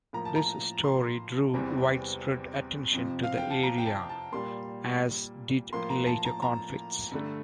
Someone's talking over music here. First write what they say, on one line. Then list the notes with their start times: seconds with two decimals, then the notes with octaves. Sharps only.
This story drew widespread attention to the area, as did later conflicts.
0.13 A2 F3 A#3 A#5
0.25 A5
0.36 A#5
0.84 C6
1.54 E2 C3 E3 G3 C4
2.92 F2 C3 F3 C4
3.23 F5
3.37 G5
3.50 A5
3.63 A#5
3.78 G5
3.85 A5
4.09 A5
4.32 A#2 G3 A#3 C6
5.73 A2 F3 A#3 C6
5.90 A#5
6.07 A5
6.25 A#5
6.42 A#5
7.11 G2 D3 A3